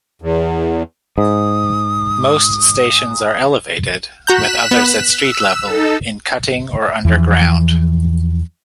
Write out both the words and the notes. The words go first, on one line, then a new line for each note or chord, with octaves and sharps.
Most stations are elevated, with others at street level, in cutting or underground.
E2
G#2 D#6
F#4 A#5 F#6 G6 B6 E7
B3
E6
D#4 A4
E2 E3 F3